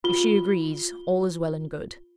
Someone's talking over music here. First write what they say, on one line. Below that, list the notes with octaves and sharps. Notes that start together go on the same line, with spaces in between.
If she agrees, all is well and good.
F4 G7